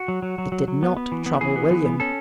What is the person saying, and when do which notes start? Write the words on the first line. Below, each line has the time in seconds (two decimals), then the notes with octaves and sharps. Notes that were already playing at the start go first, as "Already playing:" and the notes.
It did not trouble William.
Already playing: F#4
0.08 F#3
0.22 F#3
0.38 F#3
0.52 F#3
0.68 F#3
0.83 B3
0.97 B3
1.12 E3
1.26 B3
1.41 E3 G#4
1.56 B3
1.71 E3
1.86 B3
2.00 C#4 A4